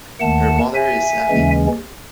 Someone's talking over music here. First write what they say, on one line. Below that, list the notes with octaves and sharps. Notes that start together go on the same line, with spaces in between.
Her mother is Abby Moore.
D#2 D#3 A3 F#5 A5
E5 G#5
D#2 C#3 E3 G#3 C#4